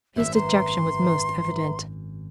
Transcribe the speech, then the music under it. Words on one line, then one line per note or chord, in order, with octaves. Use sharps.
His dejection was most evident.
G#1 F#2 E5
B4 E5 A#5 C6